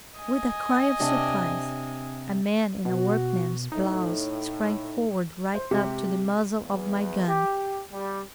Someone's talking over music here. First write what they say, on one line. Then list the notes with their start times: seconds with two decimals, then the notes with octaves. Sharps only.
With a cry of surprise, a man in a workman's blouse sprang forward right up to the muzzle of my gun.
0.19 D#5 G#5
1.00 C3 C4 D4
2.85 B2 F#4
3.72 A2 D#4
5.54 C5
5.71 C3 G#3 G4
6.62 E2
7.28 G4
7.92 G3